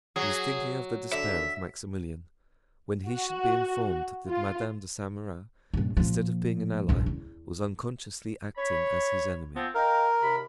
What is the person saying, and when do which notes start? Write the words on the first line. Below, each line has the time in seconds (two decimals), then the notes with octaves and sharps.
She was thinking of the despair of Maximilian, when he should be informed that Madame de Saint-Meran, instead of being an ally, was unconsciously acting as his enemy.
0.16 F#3 G#4
1.11 D3 E5
3.08 F#4
4.28 F4
5.74 G2 A#2
5.97 A#2 F3
6.89 A#1 E2
7.06 E2
8.56 C#5 B5
9.56 F3 B3 C4
9.75 A#4 D#5 F5 G5
10.22 D#2 C3 B5